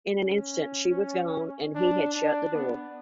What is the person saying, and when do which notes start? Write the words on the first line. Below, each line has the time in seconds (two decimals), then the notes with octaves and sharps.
In an instant she was gone, and he had shut the door.
0.17 C#4
1.75 D4
2.14 D4
2.54 B3